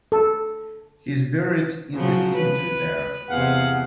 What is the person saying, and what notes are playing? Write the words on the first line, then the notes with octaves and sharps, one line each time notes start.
He is buried in the cemetery there.
A4
C#3 F3 F#3
B4
E2 C3 G#4 F5 F#5